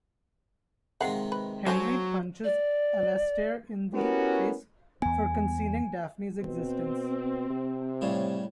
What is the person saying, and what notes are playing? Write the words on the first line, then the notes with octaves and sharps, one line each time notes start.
Henry punches Alastair in the face for concealing Daphne's existence.
C3 D#3 G#3 F5 F#5
B4
D3 F3 F#3 C#4 C5
D5
B3 C#4 E4 F#4 G4 A#4
E2 B3 G#5
B2 C4
C3
A2 C#3 G3